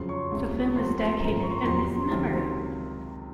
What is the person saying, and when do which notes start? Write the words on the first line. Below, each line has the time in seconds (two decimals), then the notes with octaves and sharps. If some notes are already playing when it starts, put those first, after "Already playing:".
The film is dedicated in his memory.
Already playing: F2 C#3 F#3 C5 C6
0.09 C#5 C#6
0.31 C#2 C3 F3
0.76 C#2 C3 F3 C5 C6
0.98 C5 C6
1.20 G#1 F#2 F3 A#4 A#5
1.43 C#6
1.50 C6
1.58 A#5
1.65 F2 C3 F#3 C5 C6
2.10 C#2 C3 D#3 F#3